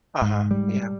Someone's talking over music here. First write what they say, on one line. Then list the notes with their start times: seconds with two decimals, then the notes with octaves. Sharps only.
Uh-huh, yeah.
0.22 G#2
0.51 G3